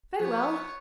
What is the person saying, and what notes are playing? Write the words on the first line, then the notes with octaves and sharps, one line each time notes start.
'Very well.
F3 B3 C#5 C#6